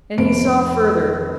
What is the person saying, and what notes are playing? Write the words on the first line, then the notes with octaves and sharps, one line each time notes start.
And he saw further.
F1 A#3 C5 D7